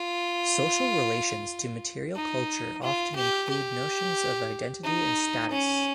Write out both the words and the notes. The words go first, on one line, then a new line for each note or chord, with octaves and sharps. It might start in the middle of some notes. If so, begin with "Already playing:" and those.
Social relations to material culture often include notions of identity and status.
Already playing: F4
D#4
F4
G4
G4
D#4
C#4